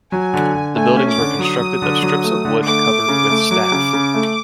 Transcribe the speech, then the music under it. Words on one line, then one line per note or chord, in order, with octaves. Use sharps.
The buildings were constructed of strips of wood covered with staff.
F#3 G#5
D3
D3
A3 G#5
C#4
D6
D3
F#3 D#6
F#3
D3
F#3
A3
D3
A3 D6
A3
C#3
A3
F#3
C#3
C#3
A3